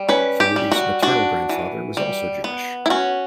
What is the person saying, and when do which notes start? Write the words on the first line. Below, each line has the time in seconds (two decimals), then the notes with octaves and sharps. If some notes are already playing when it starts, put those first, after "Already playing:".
Faludi's maternal grandfather was also Jewish.
Already playing: G3
0.09 C#4 B4
0.40 G4
0.56 G3
0.72 F#4
1.02 D4 F#4
1.49 E3
1.97 G3
2.44 B3
2.86 E4
2.90 C#4 F#4